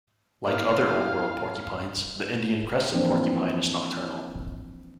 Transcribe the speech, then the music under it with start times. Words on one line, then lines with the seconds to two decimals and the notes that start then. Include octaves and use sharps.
Like other Old World porcupines, the Indian crested porcupine is nocturnal.
0.47 A#3 B3 D#4 E4 F5
2.93 E3 F3 A#3 C4 D4